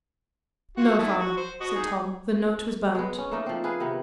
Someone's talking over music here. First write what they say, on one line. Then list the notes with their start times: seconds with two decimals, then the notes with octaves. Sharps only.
"No, father," said Tom; "the note was burnt."
0.77 F4 F#4 F#5
0.99 D#3 E4 A5
1.19 F#4
1.37 C5
1.61 F#4 D#5
1.75 D#4 G#4
2.95 G#3 B3
3.18 C#4
3.31 A3 A#3 D4 D#4
3.46 F3 C4
3.64 G#4 B4 F5
3.80 C3 D#3 B3